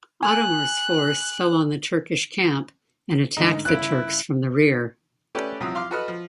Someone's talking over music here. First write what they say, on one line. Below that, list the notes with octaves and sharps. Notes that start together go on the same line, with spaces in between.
Adhemar's force fell on the Turkish camp, and attacked the Turks from the rear.
G#5 F#6
G#2 D3 A3 D#4
G1 C#3 E4 F#6 D7
A3 C#4 G4 B4 D5
C2 F3 F#3 C4 D#6
F5 C6 D6 F6
F#4 A4 B4 D#5 F6
F3